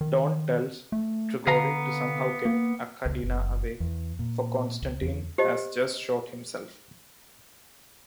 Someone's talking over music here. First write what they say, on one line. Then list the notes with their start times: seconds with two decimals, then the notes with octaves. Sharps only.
Dorn tells Trigorin to somehow get Arkadina away, for Konstantin has just shot himself.
0.01 D#3
0.92 A3
1.47 D3 B3 F5 A#5
2.45 A#3
3.06 C#2
3.23 F#1
3.80 E2
4.19 A#2
4.82 C#2
5.02 E2
5.38 G4 C5 D#5